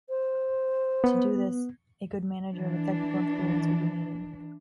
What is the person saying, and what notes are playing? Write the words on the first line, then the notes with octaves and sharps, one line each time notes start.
To do this a good manager with technical experience would be needed.
C5
B3
E3 D4